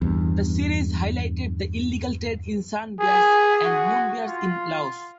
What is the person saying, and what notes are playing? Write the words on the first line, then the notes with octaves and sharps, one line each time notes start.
The series highlighted the illegal trade in sun bears and moon bears in Laos.
E2 G2
G#4
F#4
F4